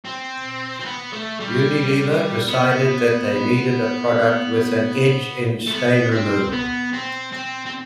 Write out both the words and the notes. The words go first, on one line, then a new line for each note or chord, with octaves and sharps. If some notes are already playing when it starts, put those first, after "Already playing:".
Unilever decided that they needed a product with an edge in stain removal.
C4
C4
B3
A3
G3
B3
A3
B3
C4
B3
C4
C4
C4